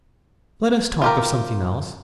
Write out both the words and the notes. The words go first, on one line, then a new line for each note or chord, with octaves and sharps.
Let us talk of something else.'
F4 G4 A#4